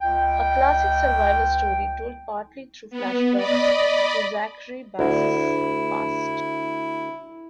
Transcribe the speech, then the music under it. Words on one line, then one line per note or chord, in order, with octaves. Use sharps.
A classic survival story, told partly through flashbacks to Zachary Bass's past.
C#2 G5
B3
D5 D#5 B5
D2 E4